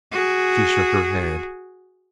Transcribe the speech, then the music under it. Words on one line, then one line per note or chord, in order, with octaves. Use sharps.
She shook her head.
F#4 G#4